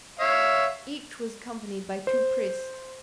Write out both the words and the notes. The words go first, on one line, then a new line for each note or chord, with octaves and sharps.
Each was accompanied by two priests.
C#5 E5 F5
C5